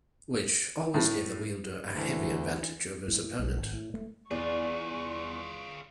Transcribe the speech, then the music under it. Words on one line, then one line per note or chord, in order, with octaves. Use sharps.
Which always gave the wielder a heavy advantage over his opponent.
A2
D2 E3
A2
B1
G#1
A2
A3
E2 F4 G#4 D5 C#6